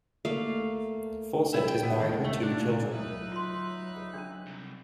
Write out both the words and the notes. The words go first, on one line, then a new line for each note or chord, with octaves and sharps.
Fawcett is married with two children.
A3 A#3 F5
E4
G5
B3
D#3
G#2
A3
D4
A#2
F#3 D#4 B4 E5 F#6
F4 C6
C#4 D4
C2